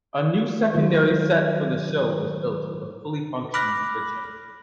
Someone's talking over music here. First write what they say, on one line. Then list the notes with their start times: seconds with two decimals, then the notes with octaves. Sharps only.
A new secondary set for the show was built with a fully functional kitchen.
0.74 D#3 F#3 F4 C5
3.54 B5 D6 F6 F#6 A#6